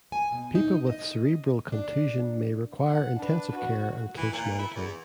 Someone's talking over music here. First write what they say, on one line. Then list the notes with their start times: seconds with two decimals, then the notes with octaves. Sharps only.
People with cerebral contusion may require intensive care and close monitoring.
0.12 G#5
0.32 B2
0.55 D#4
0.87 D#5
1.72 D4
2.87 F#5
3.16 D4 B4
3.55 F#4
4.17 E3
4.33 A#2
4.59 E4
4.76 E2